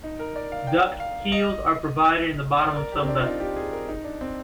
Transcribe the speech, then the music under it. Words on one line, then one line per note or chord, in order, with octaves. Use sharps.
Duct keels are provided in the bottom of some vessels.
D#4
A#4
D5
F5
G5
F5
D#5
D5
A#4
G4
C4
D4
F4
D#4
G4
G#4
A#4
D#4
D4
C4